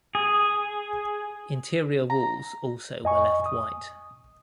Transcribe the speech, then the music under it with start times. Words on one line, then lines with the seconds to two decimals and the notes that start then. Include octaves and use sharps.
Interior walls also were left white.
0.15 G#4
2.10 A#5
3.04 F2 D#5 G#5 C#6
3.46 D#6